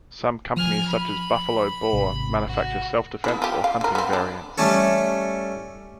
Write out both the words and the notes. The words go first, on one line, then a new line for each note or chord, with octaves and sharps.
Some companies such as Buffalo Bore manufacture self-defense or hunting variants.
F3 G#5 F6
B5
G#1 C3
F#4
B3 E4
F4 G4
F5
D3 A#4
B3 C4
D4
G3 A3 C#4 A4